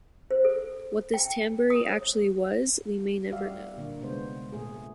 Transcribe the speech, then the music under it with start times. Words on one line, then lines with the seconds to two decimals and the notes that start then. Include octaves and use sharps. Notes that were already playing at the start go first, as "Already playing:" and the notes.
What this tambouri actually was we may never know.
0.31 C5
0.45 A4
1.14 G5
1.70 D#6
1.89 C#5
3.32 G3 F#4 G4 E5 F5
3.78 A#2 D3 A#3
4.02 C3 G#3 B3 C5
4.52 A#2 A3 G#4